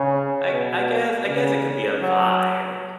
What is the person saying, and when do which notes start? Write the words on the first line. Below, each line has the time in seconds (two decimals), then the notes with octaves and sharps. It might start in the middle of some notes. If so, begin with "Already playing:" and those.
I I guess I guess it could be a vibe.
Already playing: C#3
0.51 B2
1.27 C#3
2.02 F#3